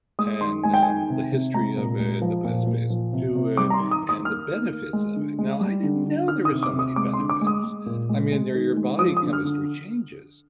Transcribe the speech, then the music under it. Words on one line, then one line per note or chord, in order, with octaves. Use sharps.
and, um, the history of it, the best bays to do it, and the benefits of it, now I didn't know there were so many benefits. I mean, they're your body chemistry changes,
G#3 D#6
D#3 C6
G#3 G#5
G5
D#3 G#5
C3
C3
G#3 A#5
A#2
G#3
F3
A#2
A#2
F3
C3
C3
G3 D6
A#5
C6
D#3
D#6
D#3
D#6
A#3 F6
D#3
A#3
G#3
D3
G#3
G3
D3
D3
D#3 F6
D#6
C3
D6
C3
D#6
G#3 D6
C6
D3
D6
G#3
D#6
G#3
A#2
G#3
G#3
D#3
G#3
F3 D#6
D#6
D3
F6
D3